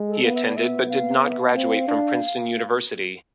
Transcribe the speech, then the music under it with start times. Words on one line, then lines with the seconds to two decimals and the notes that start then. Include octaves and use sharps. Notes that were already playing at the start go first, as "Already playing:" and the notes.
He attended but did not graduate from Princeton University.
Already playing: G#3
0.08 A4
0.24 B3 F5
0.35 E5
0.46 D5
0.57 B3 E5
0.89 F5
1.22 F5
1.30 E5
1.39 F5
1.55 C4 F5
1.88 D4